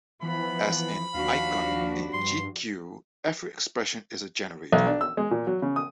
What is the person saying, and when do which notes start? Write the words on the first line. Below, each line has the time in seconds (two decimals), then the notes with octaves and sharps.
As in Icon, in jq every expression is a generator.
0.22 E3 F3 B3 B5
1.14 D#2 F3 D4 F#4 F5
2.13 G2 C6
4.72 B1
4.87 D4
5.01 E6
5.17 G#3
5.31 A#2
5.47 F#3
5.62 C#3
5.76 D#6